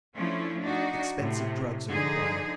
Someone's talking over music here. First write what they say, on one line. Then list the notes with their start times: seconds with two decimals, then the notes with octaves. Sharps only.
Expensive drugs are required.
0.16 F3 A3 C#4 D4 E4
0.59 D4 D#4 F#4
1.16 A2 C3
1.89 D3 F3 D#4 G#4